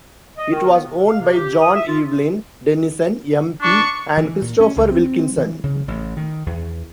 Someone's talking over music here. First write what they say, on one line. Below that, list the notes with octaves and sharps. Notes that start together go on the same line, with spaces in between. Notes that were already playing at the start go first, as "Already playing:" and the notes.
It was owned by John Evelyn Dennison, M. P. and Christopher Wilkinson.
D#5
D#3
B3
C3
F5
C3
G4
D#6
E5
F4
D4 C#6
E3
A#2
C#4
C#2
C4
E3
C#3
A1
D#3
E2